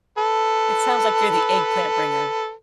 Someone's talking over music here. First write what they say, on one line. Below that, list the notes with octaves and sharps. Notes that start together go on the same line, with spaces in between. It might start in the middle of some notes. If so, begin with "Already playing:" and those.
It sounds like you're the eggplant bringer.
A4 B4